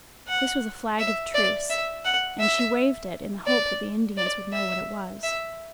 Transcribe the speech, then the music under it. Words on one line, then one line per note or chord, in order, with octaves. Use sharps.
This was a flag of truce, and she waved it, in the hope that the Indians would know what it was.
F#5
E5
D5
E5
F#5
E5
D5
D5
E5
E5